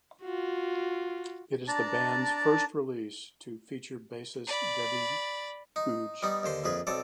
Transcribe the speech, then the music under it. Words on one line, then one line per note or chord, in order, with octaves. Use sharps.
It is the band's first release to feature bassist Debbie Googe.
F4 F#4
D4 D5 A5 A#5
D5 B5
D#4
G3 B3 D#4
D#2 D3 C5 C6
A#1 F2 G#4 B4
B1 C4 A4 D5